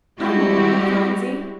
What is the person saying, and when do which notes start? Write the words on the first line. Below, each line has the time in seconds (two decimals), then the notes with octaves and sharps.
I'm all right, Phronsie.
0.19 G3 G#3 C4 E4 F#4 G4